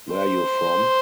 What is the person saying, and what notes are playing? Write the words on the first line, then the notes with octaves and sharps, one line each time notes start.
Where you from?
C5